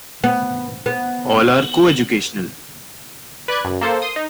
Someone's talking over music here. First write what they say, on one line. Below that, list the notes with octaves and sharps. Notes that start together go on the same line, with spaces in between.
All are co-educational.
B3
B3
B4 D5 F#6 G#6
F#2
A#3 A4 C5
C6 D#6
D#4